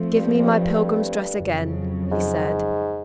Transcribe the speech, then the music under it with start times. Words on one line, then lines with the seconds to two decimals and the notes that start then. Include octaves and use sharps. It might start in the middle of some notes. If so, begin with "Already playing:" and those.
"Give me my pilgrim's dress again," he said.
Already playing: F3 A3 C4
0.16 G2
0.40 G2
1.38 F2 C#3 F#3
2.12 G#2